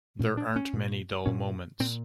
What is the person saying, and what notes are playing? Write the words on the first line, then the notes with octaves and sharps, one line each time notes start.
There aren't many dull moments.
A#2 C#4
D4
C#4
A#2
A#2 C#4
A#2 C4